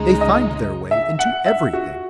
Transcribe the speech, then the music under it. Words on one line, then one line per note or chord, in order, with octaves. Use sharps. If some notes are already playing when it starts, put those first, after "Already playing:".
They find their way into everything.
Already playing: C#2 C#3 G#3 D#4
D#5
D#5
E5
F#5
E5
F#4